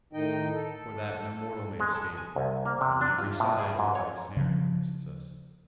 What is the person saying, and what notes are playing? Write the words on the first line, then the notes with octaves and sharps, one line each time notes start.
For that no mortal may escape; but on every side a wide snare encompasses us.
A2 D#3 D#4 D#5 G5
A4
G#3
A4
G#5
C2
A#3
C3
D4
F4
A2
G#4
G#2
C#5
C#3 F3